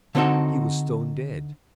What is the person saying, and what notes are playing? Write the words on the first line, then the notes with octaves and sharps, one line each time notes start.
He was stone dead.
D3 B3 C4 D#4 F#4 A4